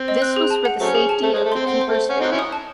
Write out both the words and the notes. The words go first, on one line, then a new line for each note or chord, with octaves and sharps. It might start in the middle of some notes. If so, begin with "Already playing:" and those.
This was for the safety of the keeper's family.
Already playing: C4
D#5
F#6
G#4
A5
F#5
F#3 A3 C#4 C5
G#4
A5
A3 C5
G#3
C5
A3
C4 C6
C4 F#5
C5
A3
C5
C#4 F#5
C4 D#4
F#6
C#4 E4
D#6
A5